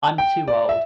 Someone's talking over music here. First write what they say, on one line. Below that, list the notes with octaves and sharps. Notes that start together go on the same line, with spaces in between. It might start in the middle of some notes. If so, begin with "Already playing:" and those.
I'm too old.
G5
D5
E5